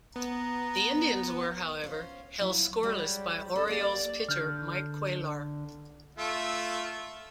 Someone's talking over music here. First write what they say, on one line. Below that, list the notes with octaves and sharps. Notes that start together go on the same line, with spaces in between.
The Indians were, however, held scoreless by Orioles pitcher Mike Cuellar.
B3 A#5
C#4 F4 C5
F#3 E4 F4
G3 G#3 F#4 C#5
C#4 A4
A#3 G4 D5
D3 F6 G6
A3 F4 E5